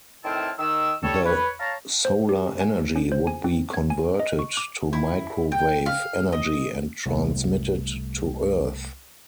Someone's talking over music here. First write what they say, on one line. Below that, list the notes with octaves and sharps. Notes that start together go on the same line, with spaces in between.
The solar energy would be converted to microwave energy and transmitted to Earth.
A2 D#3 C4 E4 A5 F6
D#3 E6
G3 A4 C#5
B4 C#5
C#5 F5 A5 A#5
C5
G4
G#5
C#4
C5
G#5
C4
G#6
G#5
D#5
C#6
D6
E4
G5
F5
D#5
C2 A3